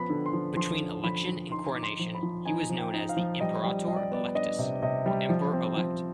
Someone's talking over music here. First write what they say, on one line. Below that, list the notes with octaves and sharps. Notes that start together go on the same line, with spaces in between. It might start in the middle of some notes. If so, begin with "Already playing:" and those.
Between election and coronation, he was known as the "imperator electus", or Emperor-elect.
Already playing: F3 B3 B5
D3
C6
F3
F3 C6
D3
F3 B5
D3
D#4 C6
D#4 D6
C6
F3
B5
F3
D#4 G#5
F3
G5
D#4
F5
F3
G3 D#5
G3
G3 D#5
D5
B3 D5
D4 D#5
C3
C3 D#5
G3
F3
C4
F3